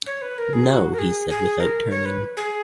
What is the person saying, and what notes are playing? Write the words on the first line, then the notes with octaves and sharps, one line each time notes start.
"No," he said without turning.
C#5
B4
A#4
G#4
F#4
A#4
G#4
G#4
A#4
C#5
B4
G#4